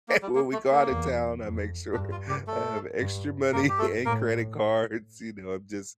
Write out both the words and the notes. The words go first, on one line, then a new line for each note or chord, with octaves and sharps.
when we go outta town, I make sure I have extra money and credit cards. You know, I'm just
A#3
G3
A#3
A3
A#3
E2
F2
G2 D4
F4
G3 G4
A3 A4
G2
G2 A#3 A#4
G4
A3 A4
A2 A#3 A#4